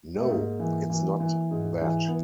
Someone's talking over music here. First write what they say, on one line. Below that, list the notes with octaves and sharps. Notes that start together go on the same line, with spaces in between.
No - it's not that.
A3
G#2 A#3
E3
E3
E3
G#2
E3
B3